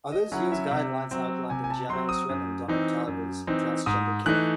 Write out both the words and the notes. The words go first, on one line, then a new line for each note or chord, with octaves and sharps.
Others use guidelines outlined in Gianna Israel and Donald Tarver's "Transgender Care".
D#5
F#3 C#4 E4 F#5
E5
C3
F#3 C4
C3 G#5
G#5
A5
F#3 C4 C6
D#6
F#2
E3 C4 D#4
F#2
E3 C4 D#4
G#2 D#6
E3 A3 D#4 F#6